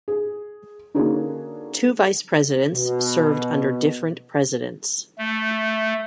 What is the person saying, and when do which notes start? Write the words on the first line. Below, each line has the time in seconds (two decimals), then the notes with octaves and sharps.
Two vice presidents served under different presidents.
0.08 G#4
0.95 D3 A#3 C#4 D#4 F#4 G#4
2.73 B2
5.18 A3